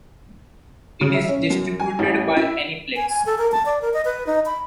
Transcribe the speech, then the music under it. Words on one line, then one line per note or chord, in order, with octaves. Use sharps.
It is distributed by Aniplex.
C#3
E5
C#4
F#2
G#5
A1
E4
G#5
G#5
A4
A#4
A5
D5
A#4
D#5
B4
D#4
B5